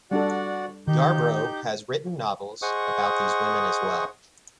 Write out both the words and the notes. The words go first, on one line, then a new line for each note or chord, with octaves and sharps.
Yarbro has written novels about these women as well.
G3 D4 F#4 A4 D5 F#5
D#3 D#4 G4 G6
G#4 C5 D#5 F#5 C#6 D#6